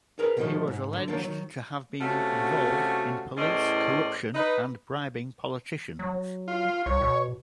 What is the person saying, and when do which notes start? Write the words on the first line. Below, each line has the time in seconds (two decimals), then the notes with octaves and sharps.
He was alleged to have been involved in police corruption and bribing politicians.
0.19 G#4 A#4 B4
0.37 B2 D3 D#3 F3 G#3 A3
0.68 G#2
0.93 D3
1.08 D#3 F#3 A#3 D4
1.20 D#3 F#3
2.00 C3 A3 C#4 F4 F#4
3.37 E2 A2 C#4 C5 D5 D#5
4.34 D#4 B4
5.99 F#3
6.48 F4
6.86 C2 C#5
7.01 B2